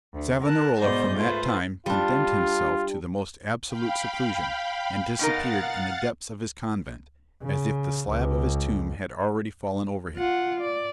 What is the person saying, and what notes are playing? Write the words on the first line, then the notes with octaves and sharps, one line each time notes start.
Savonarola from that time condemned himself to the most absolute seclusion, and disappeared in the depths of his convent, as if the slab of his tomb had already fallen over him.
D2
A#4 A5 F#6
G#2 B2 C5 D5 D#5 G6
A3 F4 B4 C5
G3 D4 F4
F5 G5 B5
B2 D#4 A#4 F5 F#5 A6
C#3
C#2
F4 F#5
D5